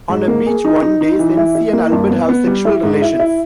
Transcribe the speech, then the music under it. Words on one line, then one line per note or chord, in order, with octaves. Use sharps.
On a beach one day, Cenci and Albert have sexual relations.
G#2
A#3
G#4
D#4
D#4
D#4
E3
E4
E4
A#3
G2
B3
B3
G3
E4
G#2
E4
E4